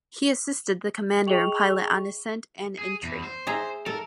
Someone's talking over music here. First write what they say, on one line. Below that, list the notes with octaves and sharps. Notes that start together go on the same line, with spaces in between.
He assisted the commander and pilot on ascent and entry.
G#4 D#5 G5 C#6 F7 F#7
G#4
E2
C5
G#4 E5 A#5
A4 A#4